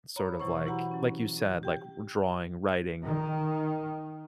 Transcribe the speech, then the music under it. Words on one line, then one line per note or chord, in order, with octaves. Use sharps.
sort of like like you said, like w drawing, writing,
C#5 A#5 B5
B2 E3 F#3 E4 C5 C#6
E4 F#4 G4 F#5 A#5 B5
F#3 C#4
G4 G5
D#3